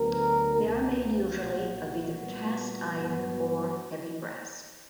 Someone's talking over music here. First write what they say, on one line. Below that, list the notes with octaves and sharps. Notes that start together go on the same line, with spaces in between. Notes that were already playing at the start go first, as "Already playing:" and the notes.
They are made usually of either cast iron or heavy brass.
Already playing: D2 D3 F#3 B3 A#4
C#2 B2 A#3
B1 A#2 A#3 F#4
A#2 G3 B3
G2 F#3 B3